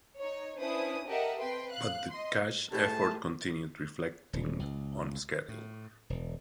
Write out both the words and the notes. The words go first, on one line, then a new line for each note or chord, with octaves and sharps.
But the cash effort continued reflecting on schedule.
D#4 C#5
C#4 D4 E4 B4 C5 D#6
G4 A4 A#4 D#5 E5 F#5
C4 B4 G5 C6
F5 F#6
D#5 C6
A2 A3 G4 G#4 A5
D#1
C#2
A2
E1